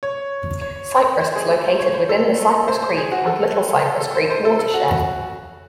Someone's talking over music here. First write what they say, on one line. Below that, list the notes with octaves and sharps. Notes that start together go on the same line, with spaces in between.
Cypress is located within the Cypress Creek and Little Cypress Creek watershed.
C#5
C#5
C5
G#4
A4
C5
C#5
C5
A4
C5
C5
G#4
F#4
A4
A4
A4
A4
C5
C5
A4
A4
F#4
F#4